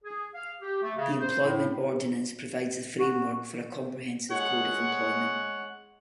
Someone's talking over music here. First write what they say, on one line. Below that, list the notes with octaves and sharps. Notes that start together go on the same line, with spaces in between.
The Employment Ordinance provides the framework for a comprehensive code of employment.
G#4
F5
G4
A3
C#3
C5
A2
F#4
G#3 C#5 F#5